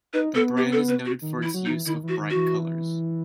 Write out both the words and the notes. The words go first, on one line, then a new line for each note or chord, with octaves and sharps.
The brand is noted for its use of bright colours.
D#4 B4
B3 A4
G4
A4
B4
F#4
D#3
E3
E4
F#3
D#4
E3
D#3 E4
E3
F#4
D#3
F#4
E3